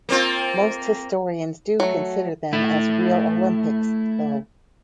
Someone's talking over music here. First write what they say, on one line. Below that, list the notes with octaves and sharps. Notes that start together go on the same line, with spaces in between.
Most historians do consider them as real Olympics, though.
A#3 C4 F4
F#3 A3
A3 E4